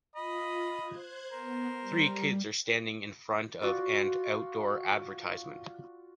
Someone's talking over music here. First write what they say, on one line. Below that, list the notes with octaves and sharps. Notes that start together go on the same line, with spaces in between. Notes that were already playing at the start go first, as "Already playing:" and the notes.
Three kids are standing in front of and outdoor advertisement.
F4 D#5 B5 D#6
C5 F#6 G#6
B3 A#4 C5
G3
F4 F#4 D5